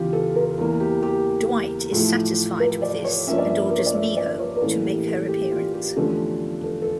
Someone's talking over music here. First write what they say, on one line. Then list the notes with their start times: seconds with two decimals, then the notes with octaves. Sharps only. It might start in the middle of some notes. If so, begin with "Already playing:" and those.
Dwight is satisfied with this and orders Miho to make her appearance.
Already playing: E2 C#3 E3 F4 G4
0.13 A4
0.36 A#4
0.58 E2 E3 A#3
0.80 G4
1.02 G4
1.92 A2 F3 A3
2.60 A#4
2.82 D5
3.04 C#5
3.27 G2 F3 A#3 C#4 E5
3.38 D5
3.49 E5
3.70 A#4
3.78 C#5
3.86 D5
3.94 E5
4.17 D5
4.39 C#5
4.56 A#4
4.61 A2 E3 A#3 C#4 A4
4.84 G4
5.06 A4
5.28 G4
5.51 F4
5.74 G4
5.96 E2 D3 F3 A3 C#4
6.63 A4
6.82 A4